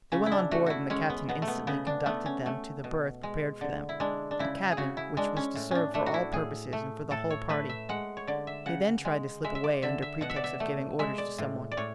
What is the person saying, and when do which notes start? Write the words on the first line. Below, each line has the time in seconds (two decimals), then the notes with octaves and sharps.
They went on board and the captain instantly conducted them to the berth prepared for them--a cabin which was to serve for all purposes and for the whole party; he then tried to slip away under pretext of giving orders to some one.
0.12 C#3 C#4
0.26 E4
0.32 D4
0.51 A3 F#4
0.66 E4 F#4
0.90 G#3 C#4
1.10 B3
1.29 B2 B3
1.42 A3
1.48 B3
1.67 C#3 B3
1.87 D4
2.06 A3 B3
2.26 C#4
2.46 A3
2.84 B2
3.23 G#3
3.61 D3
3.89 E4
4.00 G#3 D4
4.31 D4
4.39 C#3 E4
4.72 G#4
4.77 C#3 F#4
4.97 E4
5.17 G#3 D4
5.37 C#4
5.55 A2
5.71 C#4 D4
5.94 A3 D4
6.06 F#4
6.14 E4
6.32 A2 G#4
6.73 A3
7.11 A2 A4
7.30 C#5
7.49 A3 B4
7.69 E5
7.89 G#3 F#5
8.17 C#5
8.27 D3 D5
8.47 E5
8.66 C#3 F#5
9.05 G#3
9.44 G#3 E5
9.55 E5
9.64 D5
9.83 D3 E5
10.02 E5
10.21 B2 F#5
10.30 E5
10.36 D5
10.44 E5
10.60 A3
10.99 G#3 E5
11.18 D5
11.38 A2
11.71 D5
11.77 A2 C#5